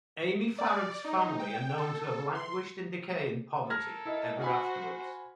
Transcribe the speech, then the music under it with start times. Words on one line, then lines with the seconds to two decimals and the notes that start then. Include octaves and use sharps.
Amy Farrant's family are known to have languished in decay and poverty ever afterwards.
0.58 D5
1.04 D#4
1.39 G5
1.78 A4
2.35 C6
3.70 A4 A#4 F6 G#6 A#6
4.05 E4 D#5
4.41 F#4 C5 G#5 B5